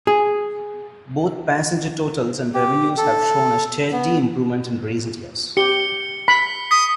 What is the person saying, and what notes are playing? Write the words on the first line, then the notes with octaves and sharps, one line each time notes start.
Both passenger totals and revenues have shown a steady improvement in recent years.
G#4
G4
A4
B3
G4 C#7 G7
B5 B6
D#6 B6